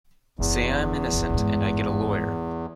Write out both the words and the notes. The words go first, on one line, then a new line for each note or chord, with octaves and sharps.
Say I am innocent and I get a lawyer.
F#1 E2
F#1 C#2
G1 G#2